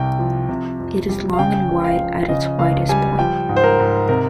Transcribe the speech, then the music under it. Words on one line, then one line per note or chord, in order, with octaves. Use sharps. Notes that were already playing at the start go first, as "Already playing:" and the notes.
It is long and wide at its widest point.
Already playing: C2 C3 G5
F3
C3
F2
G3
F5
C#3 G5
C#2
F5
F3
C#3 D#5
C#2 F5
G3 G#5
F3 G5
G#2
C5
A#4
G#2
C3 A#4